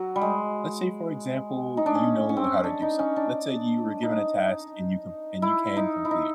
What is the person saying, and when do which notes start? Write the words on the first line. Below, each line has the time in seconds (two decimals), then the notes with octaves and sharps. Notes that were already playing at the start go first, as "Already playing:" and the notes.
let's say for example, you know how to do something let's say you were given a task and you can and you can complete it.
Already playing: F#3
0.16 G3
0.21 G#3
1.77 D#4
1.86 D4
1.95 C#4
2.29 C#4
2.37 C4
2.44 C#4
2.64 D4
2.82 D#4
2.99 C#4
3.16 D4
4.03 D#4
5.42 E4
5.77 D#4
6.05 E4
6.11 D#4